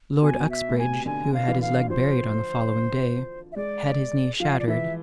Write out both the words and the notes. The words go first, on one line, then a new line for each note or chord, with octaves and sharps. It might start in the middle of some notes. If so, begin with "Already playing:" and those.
Lord Uxbridge, who had his leg buried on the following day, had his knee shattered.
B2 G#5
E5
A2
B2 G#5
C3
D3 G#5
F5
E3
F5
F3 C5
E5
G#3 D5
F3 F5
D5
E3 E5